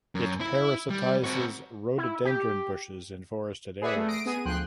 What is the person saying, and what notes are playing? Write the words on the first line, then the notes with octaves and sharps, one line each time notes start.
It parasitizes "Rhododendron" bushes in forested areas.
F#2
E4
G3
C4 F#4
E4
G4
G#4 B4 D5 E5 F#5
A3
D#6 A#6 C7 D7
B3 G#4 D#7
D2 F3 G5 C6 F#6